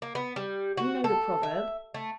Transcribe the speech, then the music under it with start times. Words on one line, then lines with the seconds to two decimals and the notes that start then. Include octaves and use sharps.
'You know the proverb.'
0.02 A#3
0.15 B3
0.36 G3
0.77 F#4
1.04 A4
1.43 E5
1.94 A3